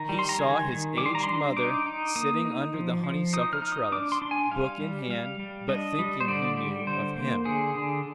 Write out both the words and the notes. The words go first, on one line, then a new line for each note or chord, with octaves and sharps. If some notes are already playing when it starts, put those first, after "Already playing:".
He saw his aged mother sitting under the honeysuckle trellis, book in hand, but thinking, he knew, of him.
Already playing: D#3 A#5
G3
C6
A#5
D#3 G#5
D#3
G3 D6
C6
A#5
D4 C6
D#4 D6
D#4
A#3 D#6
D#4
F3
F3
D#4 D#6
F6
D#4
D#6
D4 D6
C6
D4
G#5
G3 F5
G3
G3 F5
G3
D4 D#5
G3
C5
D3 D5
G3
D3 C5
A#3
D3 G#4
D3